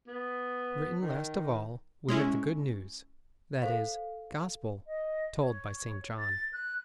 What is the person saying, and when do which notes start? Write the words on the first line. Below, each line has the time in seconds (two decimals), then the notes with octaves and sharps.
Written last of all, we have the good news--that is, Gospel, told by St. John.
0.07 B3
1.00 D#3
2.08 G#3 C#4 E4
3.62 A4 C5 F5
4.87 D#5
5.40 C#5
6.19 A6
6.53 F#6